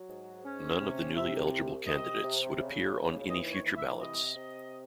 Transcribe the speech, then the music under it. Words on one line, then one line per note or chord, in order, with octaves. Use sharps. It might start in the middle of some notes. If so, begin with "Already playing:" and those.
None of the newly-eligible candidates would appear on any future ballots.
Already playing: F#3
G#2
C#4
C3
C3 E5
C2
C3 D#5
C3
C#3
D#2
E3 D#5
C#5
E3
E5
C3 D#5
C3